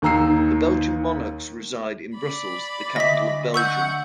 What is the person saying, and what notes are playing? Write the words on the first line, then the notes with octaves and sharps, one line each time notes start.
The Belgian Monarchs reside in Brussels, the capital of Belgium.
D#2 D#3 A#5 E6 C7
D5 B5
D2 D#5 E5 A#6 B6
F#5 C#6 E6 G6